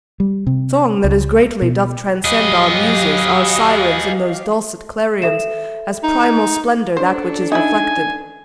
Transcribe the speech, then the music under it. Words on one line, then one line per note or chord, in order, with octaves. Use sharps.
Song that as greatly doth transcend our Muses, Our Sirens, in those dulcet clarions, As primal splendour that which is reflected.
G3
C3
C#2
B2
F#3 G4 G#4 B4 D#5 F5
A4 E5 E7
D#4
C#4 D4 A4 C5
D#4 E4 G#5